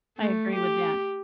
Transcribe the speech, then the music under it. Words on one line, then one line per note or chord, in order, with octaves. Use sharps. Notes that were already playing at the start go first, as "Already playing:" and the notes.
I agree with that.
A3
G4